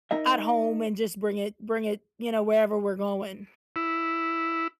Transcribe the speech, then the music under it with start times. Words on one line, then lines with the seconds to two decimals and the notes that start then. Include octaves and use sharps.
at home, and just bring it bring it, you know, wherever we're going.
0.11 D#4 A#4 D#5 E5
3.76 E4